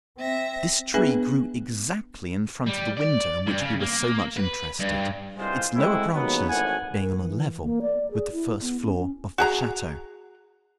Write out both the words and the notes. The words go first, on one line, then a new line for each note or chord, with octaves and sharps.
This tree grew exactly in front of the window in which we were so much interested, its lower branches being on a level with the first floor of the chateau.
C4 E5 A#6
B3 D4 G#4 B4 E5 G#5
G3
D5
G2
C#3
A#3
B4
G2
C2 G2 C3 G#3 F4 C5
G#3 A3 C4 E4 F#4 G#4
D#2 C#3 F#3 B3
G#1 A2 E3 F#5 G#5
A#4
E3
A#3
D5
G#4
E4
B3
C#4
C#4
F#4 G#4 A#5